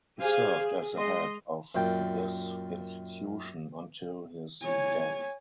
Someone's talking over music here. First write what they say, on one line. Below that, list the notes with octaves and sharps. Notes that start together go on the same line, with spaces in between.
He served as the head of this institution until his death.
G4 G#4 C5 F5 G#5
G#4
G#3 D#5 C6
F#2 A#2 G5
C#5 G#5